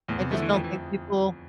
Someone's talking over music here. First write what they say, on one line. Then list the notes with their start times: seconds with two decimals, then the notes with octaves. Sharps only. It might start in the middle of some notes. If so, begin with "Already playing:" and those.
I just don't think people
0.09 E2 A2
0.20 C3
0.31 D3 F3 A3 E4
0.42 E3
0.53 F2 E3
0.64 E3